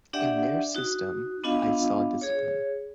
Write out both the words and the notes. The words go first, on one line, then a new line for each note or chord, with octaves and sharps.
In their system, I saw discipline.
D4 G4 D5 E5 F#5 G5
D#4 F#4
B3 D4 F4 D#5 F5
G#4 C#5